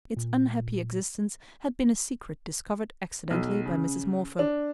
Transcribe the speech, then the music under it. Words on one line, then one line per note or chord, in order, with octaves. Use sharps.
Its unhappy existence had been a secret discovered accidentally by Mrs. Morpher.
A#2
B1
C#3
D4